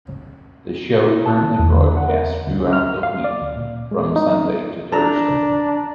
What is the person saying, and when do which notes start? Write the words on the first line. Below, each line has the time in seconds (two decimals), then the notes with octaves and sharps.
The Show currently broadcasts throughout the week, from Sunday to Thursday.
1.07 E4
1.26 A5
1.43 D#3
1.59 E2
1.77 D3
1.97 F#5
2.09 A#4
2.47 D2
2.60 C#4
2.73 F6
3.03 F5
3.24 D5
3.41 D2
3.56 A#2
3.91 G#3
4.16 D#4
4.92 D4 A5 A#5